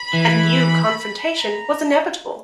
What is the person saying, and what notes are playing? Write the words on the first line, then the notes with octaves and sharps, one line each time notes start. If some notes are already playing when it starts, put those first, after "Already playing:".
A new confrontation was inevitable.
Already playing: B5
E3
A#5